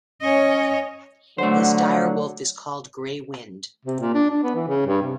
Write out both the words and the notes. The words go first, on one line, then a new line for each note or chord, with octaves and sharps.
His dire wolf is called Grey Wind.
C#4 C#5 D#5
D3 F#3 A3 C5
C3
A#2
D4
D4
B3
E3
C#3
G2
C3